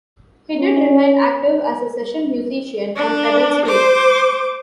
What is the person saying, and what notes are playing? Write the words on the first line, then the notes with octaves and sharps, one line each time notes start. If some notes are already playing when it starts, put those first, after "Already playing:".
He did remain active as a session musician on pedal steel.
C#4
D4
C5 D6